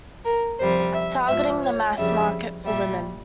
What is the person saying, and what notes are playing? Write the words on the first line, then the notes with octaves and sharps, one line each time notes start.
Targeting the mass market for women.
A#4
F2 C3 G3 C5
E5
G#2 F3 E5
C#5
F2 C#3 G3 E5
A#2 G3 E5